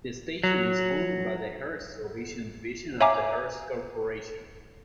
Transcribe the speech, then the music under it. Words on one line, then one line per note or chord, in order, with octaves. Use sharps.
The station is owned by the Hearst Television division of the Hearst Corporation.
F#3
C#5 E5 F5 G#5 A#5 D6